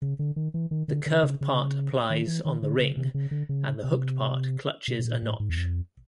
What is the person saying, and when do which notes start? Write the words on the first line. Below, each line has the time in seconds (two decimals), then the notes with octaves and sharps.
The curved part applies on the ring, and the hooked part clutches a notch.
0.02 C#3
0.19 D3
0.36 D#3
0.54 E3
0.71 D#3
0.88 D3
1.06 D3
1.23 C#3
1.41 C#3
2.10 D#3
2.27 E3
2.45 D#3
2.62 D3
2.79 C#3
2.97 C3
3.14 C#3
3.31 D3
3.49 C#3
3.84 C3
4.88 B2
4.99 B2
5.05 A#2
5.22 A2
5.40 G#2
5.49 E2
5.57 F2